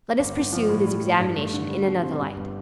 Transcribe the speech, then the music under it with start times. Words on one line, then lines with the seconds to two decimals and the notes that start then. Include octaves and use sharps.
Let us pursue this examination in another light.
0.19 G1
0.37 G1
0.53 F3
0.69 A2
0.87 G3
1.02 G3
1.19 G2
1.36 A3
1.53 D3
1.69 G3
1.85 B2
2.03 C4
2.19 G2
2.36 G1